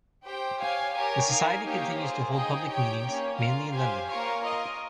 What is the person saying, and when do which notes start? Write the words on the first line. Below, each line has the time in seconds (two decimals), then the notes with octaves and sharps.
The society continues to hold public meetings, mainly in London.
0.23 G4 C5 G5
0.59 G4 C#5 F5 G#5
0.94 G4 A#4 C#5 G#5
1.28 D#4 A#4 F5 G#5
1.63 A#3 D#4 G4 C#5 F5
1.98 A#3 F4 G#4 C5
2.32 D#4 G#4 D#5 G5
2.67 G4 C#5 G5
3.03 A#3 C#4 G4 C#5
3.38 F4 A#4 F5
3.72 G4 C5 F5 G#5
4.07 A#3 F4 A#4 C#5 F5
4.42 F4 A#4 D#5